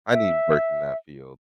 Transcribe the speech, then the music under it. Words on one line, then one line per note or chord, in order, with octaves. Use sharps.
I need work in that field.
E5